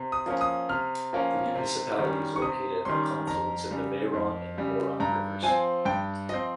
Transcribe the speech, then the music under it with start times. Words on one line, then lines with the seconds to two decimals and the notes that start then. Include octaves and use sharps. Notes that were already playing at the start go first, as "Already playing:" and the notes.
The municipality is located at the confluence of the Veyron and the Morand rivers.
Already playing: C3
0.12 D#6
0.26 F3 A#3 C#4
0.41 D#6
0.69 C3 F6
1.13 F3 A#3 C#4
1.55 C3
1.99 D#3 G3 C#4
2.36 C#6
2.42 C3 D#6
2.85 D#3 G3 C#4 C6
3.27 F2 A#5
3.71 C#3 G3
4.13 F2
4.57 C#3 G3
5.00 G2 A#5
5.43 F3 C4 G#5
5.85 G2 G5
6.29 F3 C4 D#5